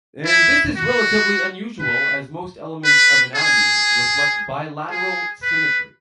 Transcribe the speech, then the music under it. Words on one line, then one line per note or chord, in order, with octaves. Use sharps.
This is relatively unusual, as most elements of anatomy reflect bilateral symmetry.
E4
F#4
B4
B4
G#4
G#4
B4